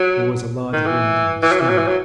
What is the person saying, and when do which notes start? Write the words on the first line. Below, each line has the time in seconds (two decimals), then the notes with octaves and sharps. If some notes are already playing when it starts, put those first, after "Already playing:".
There was a large wound in his stomach.
Already playing: F#3
0.73 D#3
0.86 E3
1.42 E3
1.51 F#3
1.60 E3
1.69 F#3
1.78 E3
1.87 F#3